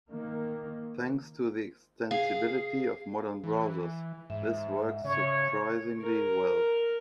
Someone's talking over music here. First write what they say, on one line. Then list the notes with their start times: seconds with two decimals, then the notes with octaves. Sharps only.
Thanks to the extensibility of modern browsers, this works surprisingly well.
0.10 D#3 A#3
2.11 G#4 F5
3.44 E3
4.30 G#2 E5
5.05 C#3 C#5
6.01 A#4